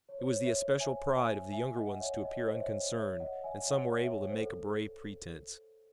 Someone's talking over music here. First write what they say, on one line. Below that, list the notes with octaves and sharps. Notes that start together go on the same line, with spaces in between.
It was the especial pride of the younger ones to appear unconcerned, and some were able to make a brave pretense.
C#5
C5
C#5
C#5 E5
E5 G#5
E5 G#5
E5 G#5
D#5 F#5
C#5 E5
D#5
C#5
C5 D#5
C#5 E5
C#5 E5
D#5 F#5
E5 G#5
F#5
C#5 E5
C#5 E5
C5
A4